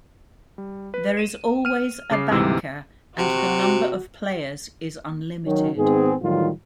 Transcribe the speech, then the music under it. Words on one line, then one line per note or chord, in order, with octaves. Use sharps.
There is always a banker, and the number of players is unlimited.
G3
B4
D#7 E7
F6 D#7
C#3 D6 C7
D2 G#2 C3 E3 E6
C3 F#4
D#3 F#3 C#4
G#2 D#3 B3 C4 G#4
A2 D#3 E3 F#3 G3 F4